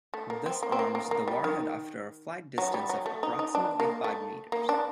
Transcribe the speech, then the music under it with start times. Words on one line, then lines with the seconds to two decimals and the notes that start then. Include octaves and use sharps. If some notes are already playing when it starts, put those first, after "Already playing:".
This arms the warhead after a flight distance of approximately five meters.
0.14 A3
0.30 A#3
0.46 C4
0.63 A#3
0.72 C4
0.79 A#3
0.95 A#3
1.11 A#3
1.28 G3
1.44 D#3
2.58 F#3
2.74 G3
2.89 F#3
3.06 A3
3.23 D#4
3.39 D#4
3.55 D4
3.80 A#3
4.04 A3
4.52 A#3
4.69 D4